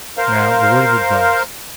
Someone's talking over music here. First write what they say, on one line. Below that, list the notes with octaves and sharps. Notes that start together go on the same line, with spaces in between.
"Now, a word of advice."
A#4 C5 F5